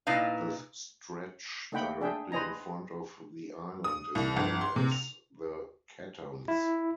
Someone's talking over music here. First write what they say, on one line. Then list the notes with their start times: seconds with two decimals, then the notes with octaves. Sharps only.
The stretch directly in front of the island is known as the Catterns.
0.07 A#2 D#4 E4 B4 F5
1.72 A3 A#3 D#4 F#5 G5 B5
2.01 D4 G#4 E5 G5
2.32 B4 C5 D#5 G#5 A#5
3.84 D#6
4.15 C2
4.36 G1
4.61 C6
4.76 C3
4.92 F7
6.48 E4